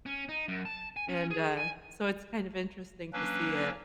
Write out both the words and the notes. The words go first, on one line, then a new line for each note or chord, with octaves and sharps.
And, uh, so it's kind of interesting to see it.
C#4
D#4
F#2
A5
G#5
C#4
G#4
G#5
F#3 A#3 C#4 D4 B4